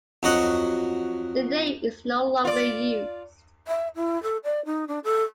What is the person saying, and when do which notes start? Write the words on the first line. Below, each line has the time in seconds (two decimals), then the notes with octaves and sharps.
The name is no longer used.
0.23 F2 F#3 F#4 D#5 F#5
2.45 F4 D5
3.68 E5
3.96 E4
4.23 A4
4.44 D5
4.65 D#4
4.88 D4
5.04 A4